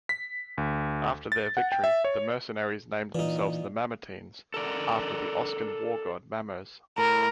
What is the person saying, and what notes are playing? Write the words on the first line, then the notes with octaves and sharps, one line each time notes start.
After their victory, the mercenaries named themselves the Mamertines after the Oscan war-god Mamers.
B6
D2
A6
F#5
G5
E5
C#5
A#2 E3 D#4
A4 A#4 D5
A2 A#4